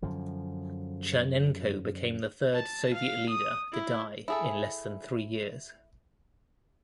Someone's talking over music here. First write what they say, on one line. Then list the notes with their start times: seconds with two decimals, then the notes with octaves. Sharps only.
Chernenko became the third Soviet leader to die in less than three years.
0.02 F#2 D3 F3
2.54 A5
2.94 F5
3.29 D#6
3.73 E4
4.28 E4 G#4 A4